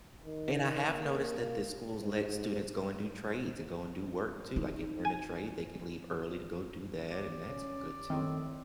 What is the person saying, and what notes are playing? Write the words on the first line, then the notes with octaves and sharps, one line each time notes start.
And I have noticed that the schools let students go and do trades and go and do work too. Like, if they're in a trade, they can leave early to go do that, and that's good too.
D#3
A#3
G#2
D#4
G#5
D5
C#4
A2 D#3 C4